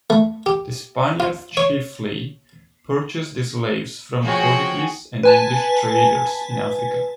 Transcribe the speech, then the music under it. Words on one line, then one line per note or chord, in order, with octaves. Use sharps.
The Spaniards chiefly purchased the slaves from the Portuguese and English traders in Africa.
A3
G4
F4
C#5
F3 F#4 G#4 C#5 G5
B4 G#5 A5